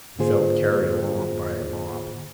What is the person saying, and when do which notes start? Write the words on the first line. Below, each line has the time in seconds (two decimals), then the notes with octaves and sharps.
He felt carried along by a mob.
0.19 G#2 D3 A#3 F4 G#4 C5